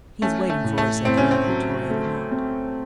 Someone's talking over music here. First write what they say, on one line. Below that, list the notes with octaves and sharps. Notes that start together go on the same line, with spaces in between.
"He's waiting for us at the laboratory," I remarked.
A3 C#4
A3
A2
A3
A2 C4
C#4
C4
F#3
A3
C4